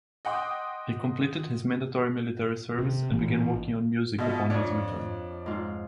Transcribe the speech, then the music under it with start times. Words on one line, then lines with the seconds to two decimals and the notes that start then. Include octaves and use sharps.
He completed his mandatory military service and began working on music upon his return.
0.25 D#5 F#5 G5 C6 D6 D#6
2.79 C3
3.10 A1
4.18 B2 F4 D#5 E5
4.50 F2 D4 C#5
5.46 G#2 F4